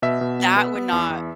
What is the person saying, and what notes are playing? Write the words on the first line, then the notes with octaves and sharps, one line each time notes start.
That would not
B2 E5
B2
B3
B3
B3
E2
E2